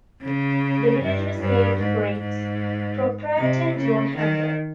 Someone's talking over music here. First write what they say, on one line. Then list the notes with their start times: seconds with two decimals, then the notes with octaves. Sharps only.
The village was named for its proprietor, John Hamler.
0.23 C#3
1.01 G2
1.41 G2
1.80 G#2
2.19 G#2
3.37 C3
3.77 C#3
4.15 D#3